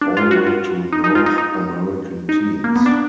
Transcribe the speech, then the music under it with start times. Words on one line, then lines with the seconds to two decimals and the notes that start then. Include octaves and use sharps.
All went to North American teams.
0.01 D4
0.17 F4
0.31 F#4
0.47 F4
0.93 D#4
1.04 D#4
1.15 F4
1.26 D#4
1.38 D#4
2.29 D#4
2.64 A#3
2.76 B3
2.86 D4